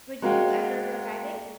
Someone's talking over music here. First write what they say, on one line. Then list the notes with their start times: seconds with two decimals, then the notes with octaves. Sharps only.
Would you ever go diving?
0.22 G#3 A#3 F#4 F5 G5